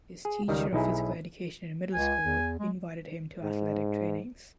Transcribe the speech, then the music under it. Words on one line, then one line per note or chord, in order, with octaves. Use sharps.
His teacher of physical education in middle school invited him to athletic trainings.
G#4
C#2 D#3 G3
B1 D#4 E4 G#4
C#2 G#5
E2
G#3
G#2